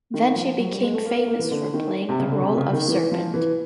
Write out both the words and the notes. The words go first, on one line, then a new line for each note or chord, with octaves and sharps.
Then she became famous for playing the role of serpent.
D#3
F3
F#3
G3
G#3
A3
A#3
A#3
A#3
E3
D3
D#3
C3
C#3
D3
C3
C#3
D#3
E3
F3
E3